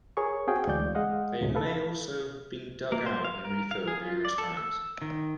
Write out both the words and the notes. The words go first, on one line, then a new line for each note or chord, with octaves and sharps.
They may also have been dug out and refilled numerous times.
G#4 A#4 C#5 C#6
C4 F#4 G#4 F5 G5
D2 E3 G#3 D5 G6
G#3 G#4 D#5 F5 F#5
D2 A2 C3 G#3
A4 B4 F5
A#3
C5
F5
A#4
F5
G#4
F4
D5
A4
E6
D#3